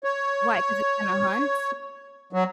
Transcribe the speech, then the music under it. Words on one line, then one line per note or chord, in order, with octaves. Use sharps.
Why, 'cause it's gonna hunt?
C#5
F#3